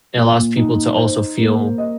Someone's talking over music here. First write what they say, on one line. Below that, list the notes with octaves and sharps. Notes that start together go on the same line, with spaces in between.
it allows people to also feel
A#2
D#4
C5
A#3
D#5